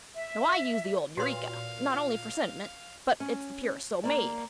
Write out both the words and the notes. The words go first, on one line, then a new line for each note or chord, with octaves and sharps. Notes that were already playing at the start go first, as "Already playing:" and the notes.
Now I use the old Eureka--not only for sentiment, but it's the purest soap made.
E5
A#2 F#4 B4 C#5 F5 C6
C#4
A#3 D5